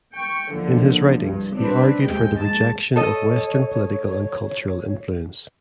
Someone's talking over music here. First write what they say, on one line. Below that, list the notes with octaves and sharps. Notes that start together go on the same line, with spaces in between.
In his writings he argued for the rejection of Western political and cultural influence.
G5 C#6
D#2 D3 F3
C2 G2
C4 D4 B4
D#2 C3 G#3 G5
G#2 A5
A4 C#5 D#5 A5